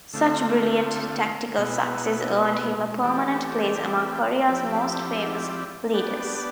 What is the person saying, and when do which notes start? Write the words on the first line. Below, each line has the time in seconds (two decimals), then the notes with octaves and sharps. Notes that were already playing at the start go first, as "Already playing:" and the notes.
Such brilliant tactical success earned him a permanent place among Korea's most famous leaders.
0.13 D3 A3 C4 F4
1.58 B2 B3 E4
3.03 E3 A3 C4 G4 D5
4.48 F3 C4 E4 G4 D5
5.94 B3 D4 G4 D5